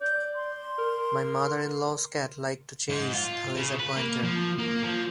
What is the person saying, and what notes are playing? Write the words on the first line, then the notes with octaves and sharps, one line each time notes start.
My mother-in-law's cat like to chase a laser pointer.
D5 G6
C6
A#4
G#2
F4
C#3
B4
A#3
F3
A#3
F3